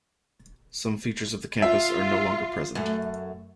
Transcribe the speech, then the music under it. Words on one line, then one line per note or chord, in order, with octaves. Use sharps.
Some features of the campus are no longer present.
F4 E5
F#2 A3